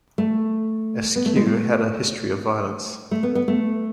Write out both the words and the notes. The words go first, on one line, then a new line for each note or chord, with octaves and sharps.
Askew had a history of violence.
A3
B3
A3
G#3
A3
A3
B3
B3
A3